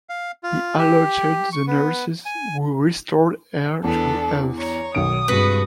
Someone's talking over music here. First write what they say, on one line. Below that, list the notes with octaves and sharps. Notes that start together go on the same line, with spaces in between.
He alerted the nurses, who restored her to health.
F5
F4
G4
C#6
B3
G#5
E2 B3 D4 A4
C#5 A#5
B1 D#3 D#6 D7
G2 C3 G#3 F#4 B4